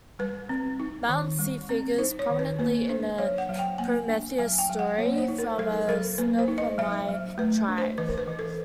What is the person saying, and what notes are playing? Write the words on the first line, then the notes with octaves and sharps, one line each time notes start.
Mount Si figures prominently in a Prometheus story from the Snoqualmie tribe.
G3 B4
C4
D#4
D#3
G3
C4
D#4 C5
C#5
D#3
B4
A#3 B4
D4 C5
F#3 C#5
F#5
F#3
G5
A#3 G#5
D4
F#3 G#5
G5
F#3
F#5
A#3 C#5
C5
D#4
A#4
F#3 A4
F#3 A#4
A#3 B4
C5
D#4
D#5
F#3 E5
F#3
A3 B4
D4
C5
E3 B4
A#4
B4
E3
A4